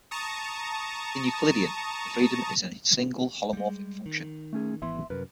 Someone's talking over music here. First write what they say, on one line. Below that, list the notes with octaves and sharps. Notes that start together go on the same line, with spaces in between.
In Euclidean, the freedom is in a single holomorphic function.
A5 A#5 C#6 D#6
G3 G#3
D#3
A3 C#4 G#4
G#1 E3 B3 E5 C6
C2 F#2 A#4 B4